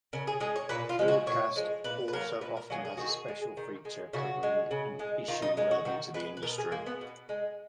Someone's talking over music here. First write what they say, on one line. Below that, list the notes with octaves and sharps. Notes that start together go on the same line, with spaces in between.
"Broadcast" also often has a special feature covering an issue relevant to the industry.
C#3 A#4
G#4
G#3 G#4
C#5
A#2 B4
F4
F3 G#3
F#4
A#2 C#5
F3 G#3
A#2 B4
B4
F#3 A#3 A#4
A#2 B4
A#4
F#3 A#3 G#4
G#4
D#3 F#4
G#4
G#3
D#3
G#3
C#3 F#4
G#3
C#3
G#3
D#3 F4
D#4
G#3 D#4
F#4
D#3 F#4
G#3 B4
B4
B2 A#4
G#4
G#3 A#3
B3
B2
G#3